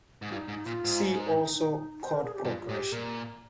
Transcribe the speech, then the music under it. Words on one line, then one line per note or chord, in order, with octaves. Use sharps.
See also Chord progression.
G#2
G2 F4
D#4
G#2
D#4
A#2 F4
G#2
F4
D#4
C5
A#4
G#4
G4
G2 F4
F4
G#2 G4
A#2 A#4